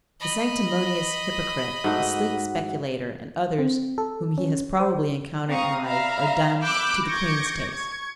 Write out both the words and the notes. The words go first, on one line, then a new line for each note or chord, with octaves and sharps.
The sanctimonious hypocrite, the sleek speculator, and others whom he has probably encountered in life are done "to the queen's taste."
D#5 B5
G#2 A3 D#4 F#4 F#5
C4
A4
C#4
C5
C4 F5 A#5 C#6 D#6
D5 E5 F5 A#5 B5
B5 D6 E6 F#6 G6
C#6 D6 G6 G#6 A#6 C#7
C#6 G#6